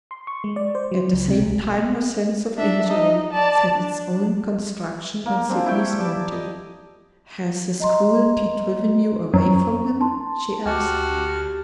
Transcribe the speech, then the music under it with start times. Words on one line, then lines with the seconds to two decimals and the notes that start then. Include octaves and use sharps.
At the same time her sense of injury set its own construction on Sydney's motive. "Has his cruelty driven you away from him?" she asked.
0.11 C6
0.27 C#6
0.44 G#3
0.56 D5
0.75 C5
0.92 F#3
1.13 C#2
1.28 C3
1.40 B1
2.57 D4 E5
2.89 D#4 D#5
3.31 D5 A5
3.73 D4
5.26 A#3
5.49 C4 D4 G#4
5.66 E4 G4 G5 C#6
5.99 D5 A5 B5
6.31 D#5
7.80 D#5 A#5 C6
9.34 F#2 C5 A#5 C#6
10.01 A5 C6
10.66 D2 F#4 G4 A5 F6